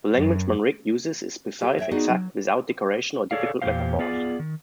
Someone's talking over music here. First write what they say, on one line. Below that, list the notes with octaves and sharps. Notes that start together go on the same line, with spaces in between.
The language Manrique uses is precise, exact, without decoration or difficult metaphors.
F#2
G4 A4 C#5 F5
C#5 E5 G5
B3 D#4 F#4 G#4 D5
F#3
G#4 A4 C#5 D5 F5
E2 A#2 C#4 G4 C5 F5
B3 F4 G#4 D5
D#3